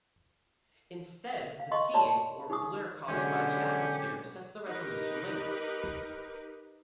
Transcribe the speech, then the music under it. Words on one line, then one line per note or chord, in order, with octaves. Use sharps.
Instead, the seeing, or blur caused by the atmosphere, sets the resolution limit.
F5
D#5 C6 C#6
C#5 D5 A5 B5 C6
D#4 G#4 C#6 D#6
B2 D3 F#3 G#3 C#4 G4
D#4 G4 A#4 B4